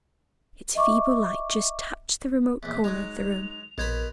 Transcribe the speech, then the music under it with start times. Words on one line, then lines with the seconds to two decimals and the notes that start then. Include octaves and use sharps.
Its feeble light just touched the remote corner of the room.
0.75 D#5 E5 C#6 D6
2.63 A#1 E2 B6
2.84 F#3 G#3 D#4 F7
3.78 A#1 B2 A#4 C5 B5 G#6 F7